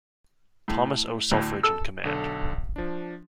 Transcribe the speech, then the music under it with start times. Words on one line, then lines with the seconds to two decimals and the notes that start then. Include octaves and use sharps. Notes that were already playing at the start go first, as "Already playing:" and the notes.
Thomas O. Selfridge in command.
0.68 A2
1.31 D2 A2
1.63 A4 E6
2.04 B1 D3 A4
2.76 F3 D4